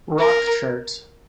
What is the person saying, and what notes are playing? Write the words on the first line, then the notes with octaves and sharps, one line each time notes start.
Rock Chart.
A#4